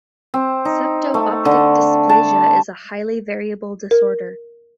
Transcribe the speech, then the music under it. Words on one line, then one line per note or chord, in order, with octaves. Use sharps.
Septo-optic dysplasia is a highly variable disorder.
C4
D#4
A3
D3
A5
A#4